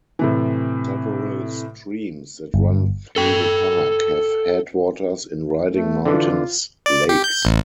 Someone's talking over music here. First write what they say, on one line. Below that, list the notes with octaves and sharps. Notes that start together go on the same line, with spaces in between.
Several streams that run through the park have headwaters in Riding Mountain's lakes.
A2 C3 E3
G1
A4 G5
A3
D3 E3 F4
D5
G4
G6
A1